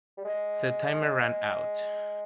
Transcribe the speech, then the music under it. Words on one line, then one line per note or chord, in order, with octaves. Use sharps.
The timer ran out.
G3
G#3